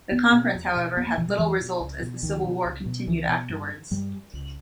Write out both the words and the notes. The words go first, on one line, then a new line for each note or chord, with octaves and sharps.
The conference, however, had little result as the civil war continued afterwards.
E2 B3
B2
E2
B2
E2 B3
A#3
B2 E3
G3
E2 E3
B2
C#2
B2
C#2 D#3
B2
C#2
B2
C#2 E3
B2
G2
G2 G3
C#2